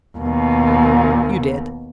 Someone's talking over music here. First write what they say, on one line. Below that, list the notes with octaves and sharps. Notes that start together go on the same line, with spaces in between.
"You did."
D#2 B2